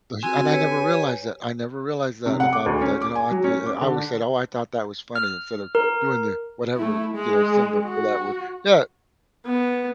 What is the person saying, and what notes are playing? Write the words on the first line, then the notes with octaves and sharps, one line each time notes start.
But and I never realized that. I never realized that about that, you know, I th I I always said, oh, I thought that was funny instead of doing the whatever, you know, symbol for that word. Yeah,
C4 F#4 G#5 E6
G4 B4 C#5
C3
F#5
D6
D2
C#4
D6
G#5
F#3
C#4
D6
D3
F6
A#4
A3 E4
G#3
F#4
B3